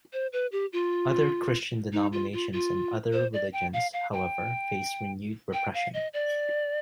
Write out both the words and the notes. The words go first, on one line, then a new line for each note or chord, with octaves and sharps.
Other Christian denominations and other religions, however, faced renewed repression.
C5
B4
G4
F4
D#4
F4
F4
F4
C5
D5
G5
F5
F5
G5
G5
F5
D#5
D5